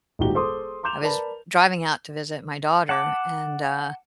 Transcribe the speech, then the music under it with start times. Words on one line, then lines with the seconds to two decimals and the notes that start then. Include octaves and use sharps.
I was driving out to visit my daughter, and, uh,
0.19 D#1 G#2 D#4 F#4 G4 G7
0.34 G#4 A4 C5 C6 D6 D#6
0.83 A#5 C6 D6 G6 E7 F7
1.02 A#4 B4 D5 A5 B5
2.89 F#5 A5 D6